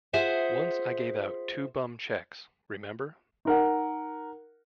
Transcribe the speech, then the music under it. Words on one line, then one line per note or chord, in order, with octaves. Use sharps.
Once I gave out two bum checks — remember?
F4 G#4 C5 E5 F#5
D#4 A#4 F#5